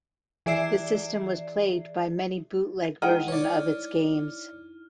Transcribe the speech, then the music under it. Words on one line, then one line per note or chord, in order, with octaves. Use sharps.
The system was plagued by many bootleg versions of its games.
E3 G#4 D5 E5 C7
G#3 D#4 E4 F#5 G5 F6 D#7
C#5 D5